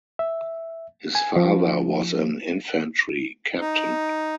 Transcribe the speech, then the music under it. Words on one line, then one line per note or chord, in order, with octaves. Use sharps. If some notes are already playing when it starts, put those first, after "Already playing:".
His father was an infantry captain.
E5
G#5
F3
D#4